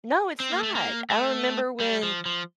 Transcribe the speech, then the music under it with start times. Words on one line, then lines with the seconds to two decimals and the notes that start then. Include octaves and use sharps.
No, it's not. I remember when,
0.40 C4
0.52 A#3
0.63 A3
0.75 A#3
1.10 A3
1.80 G3
2.03 F3
2.26 F3